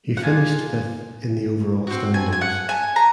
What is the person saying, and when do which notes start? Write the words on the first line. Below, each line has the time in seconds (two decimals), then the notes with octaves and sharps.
He finished fifth in the overall standings.
0.17 F#5
0.23 A#3 F4 G#4 G#5
1.87 C4 F#4
2.14 G#5
2.32 G#5
2.41 F#5
2.69 G#5
2.96 A#5